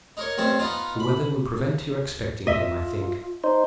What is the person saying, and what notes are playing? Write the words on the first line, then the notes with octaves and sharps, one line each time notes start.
The weather will prevent your expecting him, I think.
D#4 A#4 C#5
A1 G2 C4 C#5 A5
B3 D#4 F4
B5
F4 D#5 E5
D#4 C5